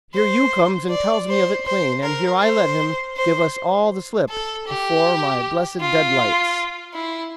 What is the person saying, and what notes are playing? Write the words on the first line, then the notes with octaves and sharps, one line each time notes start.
Here you comes and tells me of it plain; and here I let him give us all the slip before my blessed deadlights!
C5
D5
C5
C5
A#4
C5
C5
A4
G4
F4
E4